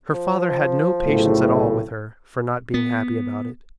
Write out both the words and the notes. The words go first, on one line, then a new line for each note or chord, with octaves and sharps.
Her father had no patience at all with her for not being happy about it.
F3
B1 A2 C#3
B3